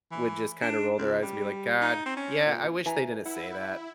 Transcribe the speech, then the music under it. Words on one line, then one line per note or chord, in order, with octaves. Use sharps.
would just kinda roll their eyes and be like, "God. Yeah, I wish they didn't say that,
E3
D4
C#2
G3
D#4
C4
C#4
A#2
E3 G#5 A#5
E4 F#5